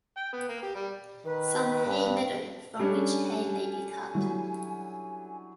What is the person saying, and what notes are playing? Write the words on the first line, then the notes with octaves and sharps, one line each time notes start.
Some Hay meadow from which Hay may be cut.
G5
B3
A#3
G4
G3
D#3 B4
G2
G3 C#4 D4 G4 A4 G#5
F#3 E4